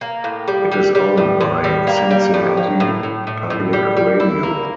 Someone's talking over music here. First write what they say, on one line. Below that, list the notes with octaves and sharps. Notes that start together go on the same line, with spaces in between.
It is owned by Cincinnati Public Radio.
A#3
A2
G3
G3
G3
A2
A2
G3
A#3
G3
A2
A#3
A2
A2
A2
A2
G3
G3
E4
A#3